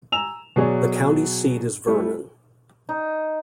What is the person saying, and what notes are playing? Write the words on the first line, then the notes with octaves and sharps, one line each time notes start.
The county seat is Vernon.
G#5 A#5 E6 E7 F7
B2 F#3 G#4 C#5 D5
G3 A3 E4
D#4